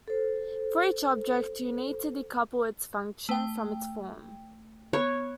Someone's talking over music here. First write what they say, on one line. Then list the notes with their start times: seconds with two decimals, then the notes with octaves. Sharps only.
For each object, you need to decouple its function from its form.
0.08 A4 C5
3.29 A3 G5
4.93 B3 C#5